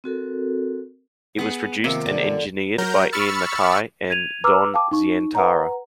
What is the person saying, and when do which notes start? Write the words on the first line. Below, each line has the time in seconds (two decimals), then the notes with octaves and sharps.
It was produced and engineered by Ian MacKaye and Don Zientara.
0.04 C4 F#4 A4 A#4
1.39 B3 G#4
1.84 C3 D#3 F3 A#3
2.06 D3
2.78 F#3 A#4 A#5 G6
3.12 B5 C#6 E6 F6 A6 C#7
4.10 G#6 D#7 F7
4.44 B4 A#5 D6 E6 F6
4.74 F5 G5 A5 D6
4.91 D#4 C#6
5.35 B4 F#5 A#5